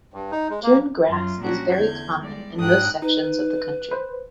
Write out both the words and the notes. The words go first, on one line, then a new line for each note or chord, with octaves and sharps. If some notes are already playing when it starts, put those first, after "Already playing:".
June grass is very common in most sections of the country.
G2
D#4
G#3
A#3
F#2 F4
A#2 G3 C#4 D4 F#4
E2 D3 G6 G#6
G3 G#3 D5
G#2 D4 G5 D#6 F#6
D#4 B4
B4 C5